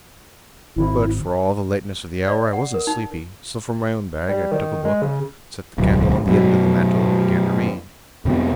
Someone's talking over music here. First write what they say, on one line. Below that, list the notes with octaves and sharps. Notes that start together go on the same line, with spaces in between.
But, for all the lateness of the hour, I wasn't sleepy; so from my own bag I took a book, set the candle on the end of the mantel, and began to read.
G#1 E4
D5
F#5
A#4
D#4
G3
D#3
G#3
C#3
D1 B1
F#2 B2
F2 C3 B3